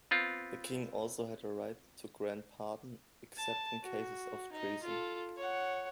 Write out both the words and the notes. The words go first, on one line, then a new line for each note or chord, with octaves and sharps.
The king also had the right to grant pardon except in cases of treason.
B3 C4 F4
A5
F#4
D#4 D#5
F4 A4
C#5 F#5